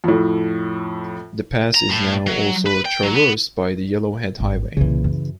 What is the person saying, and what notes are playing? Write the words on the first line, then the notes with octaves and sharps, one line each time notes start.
The pass is now also traversed by the Yellowhead Highway.
F2 A2
A#5
A2
F#3
B4
G5
F#3
B3
G#1
C2 A#2 C#3 E3
F#2